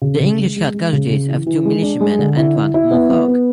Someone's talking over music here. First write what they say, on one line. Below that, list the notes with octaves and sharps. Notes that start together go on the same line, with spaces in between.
The English had casualties of two militiamen and one Mohawk.
C#3
C#3
G#3
G#3
G#3
C#3
C#3
E3
E3
G#3
D4
G#3
D3
E4
E4
E4
B3
B3
B3